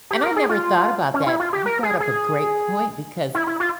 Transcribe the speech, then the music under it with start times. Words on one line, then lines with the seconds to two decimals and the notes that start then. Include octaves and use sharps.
And I never thought about that. You brought up a great point because
0.11 G4
0.23 A#4
0.36 G#4
0.49 F4
1.14 C#4
1.27 E4
1.40 F4
1.53 G4
1.66 A#4
1.83 G#4
2.00 G#4
3.35 E4
3.47 E4
3.60 F4